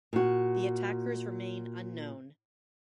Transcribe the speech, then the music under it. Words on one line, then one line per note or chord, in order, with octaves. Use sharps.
The attackers remain unknown.
A#2 F#4